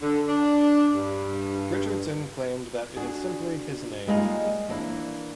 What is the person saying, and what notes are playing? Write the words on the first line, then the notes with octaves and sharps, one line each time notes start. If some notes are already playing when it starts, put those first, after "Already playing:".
Richardson claimed that it is simply his name.
D3
D4
G2
D4 F#4 G#4
G3 G#3 A#3 D#4 F4 G#4
E3 A#3 D4 E4